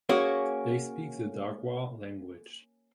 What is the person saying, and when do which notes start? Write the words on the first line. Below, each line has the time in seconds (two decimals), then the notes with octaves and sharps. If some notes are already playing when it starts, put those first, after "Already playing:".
They speak the Dargwa language.
0.09 A#3 C#4 F#4 G#4